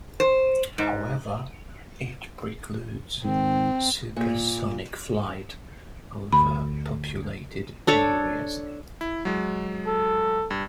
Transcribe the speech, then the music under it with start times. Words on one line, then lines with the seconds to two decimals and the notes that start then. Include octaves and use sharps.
However, it precludes supersonic flight over populated areas.
0.20 C5
0.78 G#2
3.24 G#2 D#3 C4
4.16 A#2
6.33 D2 B5
7.87 D4 A4 C#5
9.01 E4
9.25 F#3 G#3
9.86 A4
10.51 G2